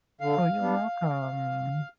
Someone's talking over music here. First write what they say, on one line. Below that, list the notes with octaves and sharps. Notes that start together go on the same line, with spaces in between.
Oh, you're welcome.
D3 F5
G3 B3 D4